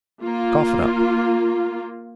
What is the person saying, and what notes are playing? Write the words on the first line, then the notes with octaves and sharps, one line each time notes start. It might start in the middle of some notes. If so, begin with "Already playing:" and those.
Cough it up.
A#3 F4